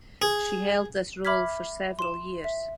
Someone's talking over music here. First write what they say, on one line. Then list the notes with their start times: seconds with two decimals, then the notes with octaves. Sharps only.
She held this role for several years.
0.22 G#4
1.25 E5 B5 D6 F6 G#6 B6
1.99 C6 E7
2.44 E5